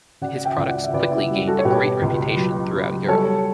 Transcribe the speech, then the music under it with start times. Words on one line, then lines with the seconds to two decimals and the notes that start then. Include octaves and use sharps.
His products quickly gained a great reputation throughout Europe.
0.21 C#3 D5 F#5
0.45 E5 G5
0.57 C#2
0.70 D5 F#5
0.84 E5
0.93 C#3 B4 D5
1.11 E4
1.30 G3
1.47 F#4 A4
1.59 C#5
1.65 B2 G4 B4
2.02 C#2
2.37 F#3
2.73 F#3
3.08 G3 A4 C#5